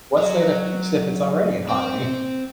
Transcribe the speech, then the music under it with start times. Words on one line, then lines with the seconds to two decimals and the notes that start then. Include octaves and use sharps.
What's there to fix, if it's already in harmony?
0.18 F#3
1.69 C4